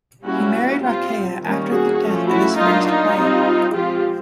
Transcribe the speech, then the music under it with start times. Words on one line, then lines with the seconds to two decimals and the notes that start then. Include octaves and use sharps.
He married Rokeya after the death of his first wife.
0.23 G3 A#3 C#4 E4 F#4
0.81 G3 C4 F4 G4
1.41 D#3 G3 A#3 C#4
1.70 F#4 G#4
1.98 F3 A3 C#4
2.28 E4 F#4
2.57 F#3 A#3 D4 D#4 F4
2.86 D#4 F4
3.16 G3 C4
3.74 F3 G#3 C4 F4 G4